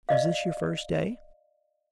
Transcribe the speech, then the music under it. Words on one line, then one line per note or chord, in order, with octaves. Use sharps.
Is this your first day?'
D5 D#5 F5